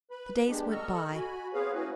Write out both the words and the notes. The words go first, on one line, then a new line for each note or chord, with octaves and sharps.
The days went by.
B4 B5
G#3 B3 D4 G4
A4 D#5 A#5 C#6 E6 F6
F#4 G#5 B5
B3 C4 G#4 B4 C#5 F5
A3 A#3 C#4 E4 F#4 B4